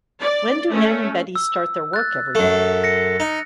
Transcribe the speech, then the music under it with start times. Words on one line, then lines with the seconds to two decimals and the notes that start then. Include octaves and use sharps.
When do Anne and Betty start their work every day?
0.21 D5
0.72 A3 C#4
1.35 E6
1.93 F#6 A6
2.35 F#2 A3
2.84 A#6 C#7
3.20 D#4